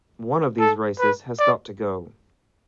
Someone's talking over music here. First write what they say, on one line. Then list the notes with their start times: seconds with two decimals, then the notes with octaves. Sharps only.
One of these races has got to go.
0.59 A4
0.99 B4
1.39 D5